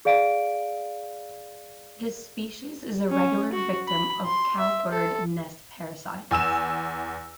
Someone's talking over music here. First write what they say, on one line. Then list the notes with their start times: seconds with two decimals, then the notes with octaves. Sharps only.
This species is a regular victim of cowbird nest parasites.
0.05 G#4 D5 F5 D7
3.09 C#4
3.53 F#4
3.88 B5
4.25 C6
4.60 E5
4.92 A4
6.31 E2 G#5 E6 E7